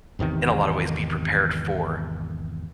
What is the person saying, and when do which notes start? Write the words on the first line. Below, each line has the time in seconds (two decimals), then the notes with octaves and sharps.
in a lot of ways, be prepared for
0.19 G#1 E2 C3 D#3